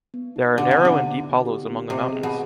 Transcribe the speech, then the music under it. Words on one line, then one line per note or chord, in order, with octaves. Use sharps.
There are narrow and deep hollows among the mountains.
B3
D#4
D3 G4
C3
B3
D3
B3
D#4
G4
B3
C3 D#5
G#4
B2